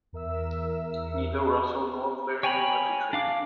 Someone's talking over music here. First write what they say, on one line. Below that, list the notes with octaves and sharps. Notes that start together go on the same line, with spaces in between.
Neither Russell nor Claire knew about the trade.
E2 A#4 E5 E6
C#5 G5 G#5 A#5 B5
D4 F5 D6